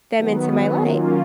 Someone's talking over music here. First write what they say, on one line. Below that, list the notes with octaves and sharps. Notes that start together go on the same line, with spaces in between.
them into my life.
D#3 F#3 B3
D#3 F#3 B3
D#3 F#3 A#3 C#4 F4